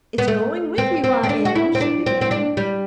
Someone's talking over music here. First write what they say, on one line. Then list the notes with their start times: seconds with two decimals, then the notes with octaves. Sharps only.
"It's going with you I am," she began.
0.18 B3
0.28 A3
0.78 C4
1.04 C4
1.23 C4
1.29 D4
1.45 F#4
1.55 E4
1.75 C4
1.81 D4
2.06 C4
2.21 C4
2.31 D4
2.57 G3